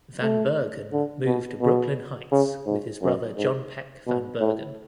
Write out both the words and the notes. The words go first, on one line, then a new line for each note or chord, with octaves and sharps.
Van Bergen moved to Brooklyn Heights with his brother John Peck Van Bergen.
A3
D3
B2
B2
C#3
G#2
F#2
G#2
B2
A2